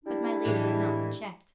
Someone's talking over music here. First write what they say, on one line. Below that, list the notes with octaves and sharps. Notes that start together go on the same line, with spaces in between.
But my Lady would not be checked.
G3 D4 E4
A2 E3 G#3